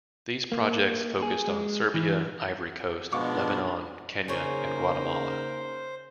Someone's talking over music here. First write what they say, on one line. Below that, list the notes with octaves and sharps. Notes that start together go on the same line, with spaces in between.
These projects focused on Serbia, Ivory Coast, Lebanon, Kenya and Guatemala.
A#3
G#4
G#3
E3
B2 F3 G#3 B3 D4 F5 C#6 D6
C#3 A#3 D#4 G#4 A#4 C5 C#5